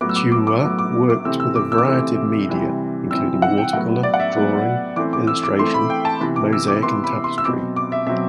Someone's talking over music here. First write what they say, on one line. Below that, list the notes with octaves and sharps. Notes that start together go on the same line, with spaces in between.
Ciuha worked with a variety of media, including watercolour, drawing, illustration, mosaic and tapestry.
A2 F#3 B3 D6
E6
D6
D6
D6
A2 F#3 B3
D6
D6
C3 E3 A3 C4 E6
E6
D6
E6
D6
C3 E3 A3 C4 E6
C3 E3 G3 C4
C3 E3 G3 C4 E6
F#5
G5
A2 F#3 B3 F#5
D5
F#5
E5
A2 F#3 B3
E3 A3 C4 D6
D6
E6
D6
E3 A3 C4 C6
B5
G5
A5
C3 E3 B3 B5
D6
E6
D6
C3 E3 B3 C6
B5
C6
E6
B2 F#3 C4 D6
D6
E5
B2 F#3 C4 E5